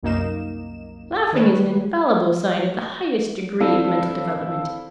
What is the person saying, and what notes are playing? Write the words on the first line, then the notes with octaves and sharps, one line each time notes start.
Laughing is an infallible sign of the highest degree of mental development.
C2 F#2 A#3 D#4 E7
D#3 A#3 B4 C#5
C4 D4 E4 F4 A4